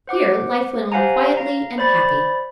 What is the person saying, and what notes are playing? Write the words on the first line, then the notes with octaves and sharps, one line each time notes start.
Here life went on quietly and happy.
C5 F#5 D6
G4 C5 F5 F#5 G#5 A#5
F5 A#5
C5 D5 B5 A6